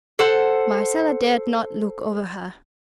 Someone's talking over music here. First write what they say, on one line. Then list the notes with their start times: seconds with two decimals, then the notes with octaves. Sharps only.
Marcella dared not look over her.
0.19 A4 C5 F#5